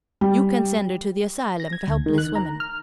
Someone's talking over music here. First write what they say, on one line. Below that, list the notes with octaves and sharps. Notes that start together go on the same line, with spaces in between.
You can send her to the asylum for helpless women.
G3
A#6
G#6
D2
D#3
F#6
A#5
F6